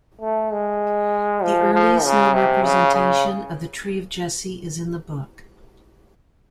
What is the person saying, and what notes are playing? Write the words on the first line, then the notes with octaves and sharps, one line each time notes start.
The earliest known representation of the "Tree of Jesse" is in the book.
A3
G#3
F3
F3
C#3
C3
C#3
C#3